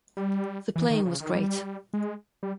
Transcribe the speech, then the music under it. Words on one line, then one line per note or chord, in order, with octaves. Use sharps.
The playing was great.
G3
E3
D#3
C#3
D#3
G3
G#3
G3